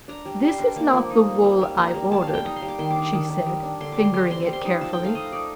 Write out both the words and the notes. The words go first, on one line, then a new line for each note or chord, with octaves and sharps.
"This is not the wool I ordered," she said, fingering it carefully.
D4 A#5
G3
G3 C6
D4
A#3 D6
F3
D#4
A#3
G3
G3
A#3 A#5
G3
G3 A5
F5
G3
G5
D#4 A#5
C6
G3
D6
D#3 C6
D6
D4
D6
D#3
D#3
G3
D4
D3 C6
D6
G3
C6
G3 C6
C4 C6
D6
G3
C6
D#4
F3 A5
G5
A3
F5
A3 D#5
D#4 D5